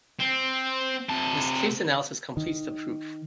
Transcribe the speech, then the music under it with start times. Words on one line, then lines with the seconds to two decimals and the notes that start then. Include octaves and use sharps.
This case analysis completes the proof.
0.20 C4
1.10 C3 A5
2.37 D#3